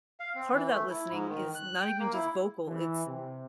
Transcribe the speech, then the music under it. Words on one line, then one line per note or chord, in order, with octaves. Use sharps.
part of that listening is not even just vocal, it's
F5
C4
E3
A3
E4
G#2
D#3
F#6
G5
A#3
E4
E3
C3